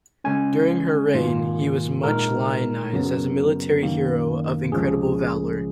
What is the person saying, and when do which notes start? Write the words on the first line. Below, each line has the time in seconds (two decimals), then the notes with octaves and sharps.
During her reign he was much lionized as a military hero of incredible valor.
0.24 C#3 G#3 C#4 G#5
1.14 G#2 D#3 A#3 F4
2.03 A#2 G#3 D#4 A#4
2.93 F#2 C#3 F#3 B3
3.83 F#2 D#3 A#3
4.72 C#2 C#3 F3 G#3 G#4